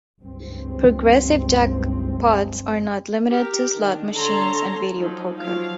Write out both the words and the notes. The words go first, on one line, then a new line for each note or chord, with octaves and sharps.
Progressive jackpots are not limited to slot machines and video poker.
F#1 C#2 G2 C4
G4 A#4
D#3 D4
D3 A4 C#5 A5 A#5 C6
F3 F#3 D#4
F3 F#3 F5